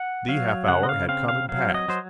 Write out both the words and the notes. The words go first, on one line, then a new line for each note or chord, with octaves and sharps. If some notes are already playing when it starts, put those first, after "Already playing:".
The half-hour had come and passed.
Already playing: F#5
F#3 F5
C#3 F#5
D#5
F5
C4 F5
F5
F#3 F5
D#5
F#3 C5